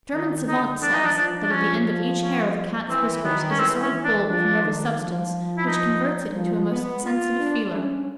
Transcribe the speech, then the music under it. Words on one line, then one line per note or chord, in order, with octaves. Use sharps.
A German savant says, that at the end of each hair of a Cat's whiskers is a sort of bulb of nervous substance, which converts it into a most sensitive feeler.
D#3 D#4
D3 D#4
E3 D4
D#4
D4
F3 D4
D4
F3 C#4
C#4
E3 C4
D#3 B3
C#4
E3 C4
C#4
E3
D4
F3 D4
D#3
F3
E4
D#4
F3
B3
F4
D4
C#4